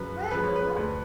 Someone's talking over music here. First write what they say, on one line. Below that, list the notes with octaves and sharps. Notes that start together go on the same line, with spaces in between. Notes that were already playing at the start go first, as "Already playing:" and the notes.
"Where am I?"
Already playing: F#2 C#3 F3 B4
C#3 F3 B4
C#5
B4
D2 B4